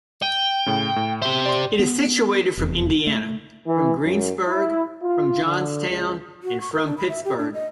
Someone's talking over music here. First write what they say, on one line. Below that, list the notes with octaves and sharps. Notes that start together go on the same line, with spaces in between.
It is situated from Indiana, from Greensburg, from Johnstown, and from Pittsburgh.
G5 D#7
A2 C#3
A2
G4 C5 E5
D5 C6
B3
F1 E2
A3
E3
F#2
E4
F4
D3
C#2
F#4
C#6
A#4
D4
B5
E5
G4
D4
D#5